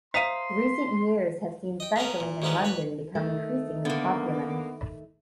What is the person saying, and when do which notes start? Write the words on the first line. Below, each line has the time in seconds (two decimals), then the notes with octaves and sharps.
Recent years have seen cycling in London become increasingly popular.
0.14 C5 E5 F5 A#5 C6 D#6 B6 D#7
1.80 D#5 G5
1.96 B3 C#4 A4 A#4
2.20 A#2
2.42 D2 G#2 A#3 B3 C#4 A4
2.65 B4 C#5
3.15 D#3 A3
3.85 D3 A#3 B3